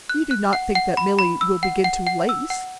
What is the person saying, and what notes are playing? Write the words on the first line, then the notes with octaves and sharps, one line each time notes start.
"You do not think that Milly will begin to lace?"
F#6
F#6
F#5
F#5
B5
B5
E6
F#5
F#5
F#5
E6
F#5